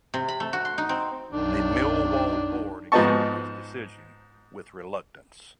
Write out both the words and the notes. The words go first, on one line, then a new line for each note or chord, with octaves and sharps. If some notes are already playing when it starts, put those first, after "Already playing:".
The Millwall board accepted his decision "with reluctance".
C3
B5
A3
F#4
C6
D#4
C4
B1 F#2 D#3 D4
G#2 F3 B3 D#4 A5 C#6